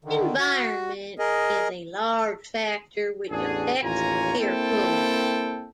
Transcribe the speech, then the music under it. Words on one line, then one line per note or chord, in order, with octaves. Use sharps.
Environment is a large factor which affects hair pulling.
D3 D#3
F#4
G#4 A#4 D#5
A1 E2 D4 F#4 G#4
A1 D#2 F4 C#5 G#5 A#5
A#3 C4 E4 A4 G5 A5